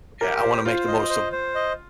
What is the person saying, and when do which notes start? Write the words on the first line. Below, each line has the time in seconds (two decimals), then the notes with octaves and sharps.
yeah, I wanna make the most of
0.21 G4 A#4
0.43 C5
0.65 F4 C5
0.88 D#5
1.10 C5
1.32 C5
1.55 D#5